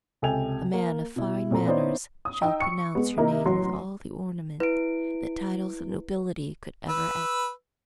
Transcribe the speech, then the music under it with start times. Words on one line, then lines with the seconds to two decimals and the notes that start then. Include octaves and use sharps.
A man of fine manners shall pronounce your name with all the ornament that titles of nobility could ever add.
0.22 C#2 C3 A4 G5 G#5 F7
0.74 A#3
1.16 B2 E4
1.51 A#2 C4 A4 A#5
1.67 B3 C#4 D#4 E4 C5 D5
2.25 D#6
2.42 D#4 G5 E6
2.60 C#6 C#7
2.95 G#3 B3
3.17 C3 A#3 D#4 E4 A#4
3.45 A1 F#3 C6
4.60 E4 B4 D7
6.89 B4 E6